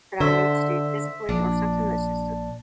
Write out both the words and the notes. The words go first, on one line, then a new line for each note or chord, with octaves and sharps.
that I need to do physically or something that's just,
D3 C5 E5
A#1 D4